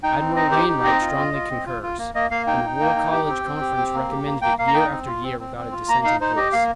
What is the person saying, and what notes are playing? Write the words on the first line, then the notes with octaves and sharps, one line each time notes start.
Admiral Wainwright strongly concurs, and the War College Conference recommended it year after year without a dissenting voice.
D#4 G5
C4
D#4 D#5
G4 C5
D#4
C4 D#5
F4
F4
F4
C4
F4
F4
A#3
A#3 D#5
A#3 F5
D#4 G5
D#4
A#3
D#4
G4
C4
C4
G4
C4
A#3
G4
A#3
A#3 G5
A#3 F5
A#5
D#4 G5
C4
F4
C4
C4
C4
F4
A#3 A#5
D#4 F5
D#4 C5
G4 D#5
A#3 F5